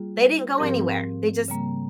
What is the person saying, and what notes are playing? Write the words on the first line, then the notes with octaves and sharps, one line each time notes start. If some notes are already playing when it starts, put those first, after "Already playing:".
they didn't go anywhere, they just
Already playing: G3 A#3 F4 G#4
G#2 F3 C4 G4 A#4
C#3 G3 A#3